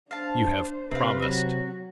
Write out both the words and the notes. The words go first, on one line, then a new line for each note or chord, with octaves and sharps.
"You have promised!"
D4 C5 F5 A5
C3 C4 B4 F5
F#3 F#4